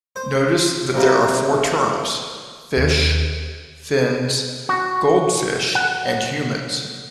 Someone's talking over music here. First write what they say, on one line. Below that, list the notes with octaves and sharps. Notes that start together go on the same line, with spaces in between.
Notice that there are four terms: "fish", "fins", "goldfish" and "humans".
C5
C3 G3 A#3
D#2
F#4
F#5